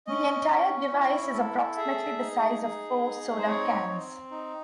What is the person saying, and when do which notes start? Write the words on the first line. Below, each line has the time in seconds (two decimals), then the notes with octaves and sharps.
The entire device is approximately the size of four soda cans.
0.07 C#4 D#5
0.50 C#4
0.92 E4
1.34 A4
1.77 G#4 E5
2.19 D#4
2.62 G#4
3.04 D#4
3.38 C5
3.46 C4 C#5
3.88 C4
4.31 D#4